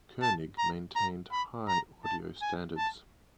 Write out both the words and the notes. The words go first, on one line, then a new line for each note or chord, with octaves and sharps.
Koenig maintained high audio standards.
A5
A#5
A#5
B5
A#5
A5
G#5
A5